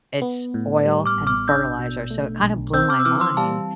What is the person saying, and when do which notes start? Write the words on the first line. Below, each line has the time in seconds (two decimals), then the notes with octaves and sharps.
It's oil and fertilizer, so it kinda blew my mind
0.22 B3
0.54 A2
0.85 G3
1.06 D6 F6
1.17 A1
1.27 D6 F6
1.48 D4 E6 G6
1.79 B2
2.11 A3
2.43 B1
2.74 C4 E6 G6
2.90 D6 F6
3.00 E6
3.05 E3 D6 F6
3.21 C6 E6
3.37 G3 F5 A5